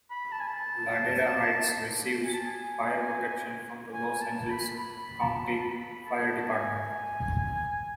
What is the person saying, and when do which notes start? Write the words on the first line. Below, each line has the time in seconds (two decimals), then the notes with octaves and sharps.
Ladera Heights receives fire protection from the Los Angeles County Fire Department.
0.11 B5
0.32 A5
0.40 G#5
0.47 A5
2.24 G#5
2.34 A5
2.46 G#5
3.93 G#5
4.21 A5
4.50 B5
4.79 B5
5.20 A5
5.63 B5
6.06 A5
6.49 G#5